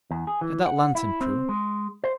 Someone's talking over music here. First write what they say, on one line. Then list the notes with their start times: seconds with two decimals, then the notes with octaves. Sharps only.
Get that lantern, Prue.
0.11 E2
0.27 G#4
0.41 E3
0.66 F#5
0.95 E4
1.21 C4
1.49 G#3
2.04 C5